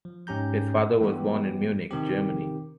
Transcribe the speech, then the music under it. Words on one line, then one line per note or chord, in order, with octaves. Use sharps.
His father was born in Munich, Germany.
F3
G#2 C#4 G4 A#5 G6
G2 E3 B3 G4
C3 D#3 C4 G4